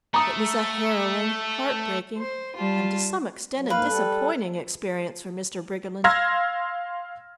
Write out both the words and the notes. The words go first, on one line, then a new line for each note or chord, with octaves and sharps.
It was a harrowing, heart-breaking, and to some extent, a disappointing experience for Mr. Briggerland.
A3 A#5 D#6
C5
G3 F4 A5
F#3
G#2 A#3 B4 F5
G3 A4
F5 C6 E6 F6 G#6 A#6